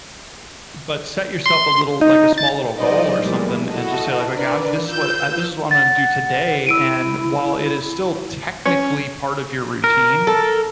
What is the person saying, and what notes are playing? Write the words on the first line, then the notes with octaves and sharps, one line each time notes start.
But set yourself a little like, a small little goal or something and just say like, "Okay, I'm this is what this is what I'm gonna do today," and while it is still technically part of your routine,
C6
D#4
A6
F#3 G#3 D#4 C5 D5 D#5
F#2 B2 E3 G3 G#3 A#3
E4 F#4 A4 D#5
D4 A#4 B4 D5
F4 B4 E6 G6
F#5 A6
E4 E6 D7 D#7
C#4
A#4
A4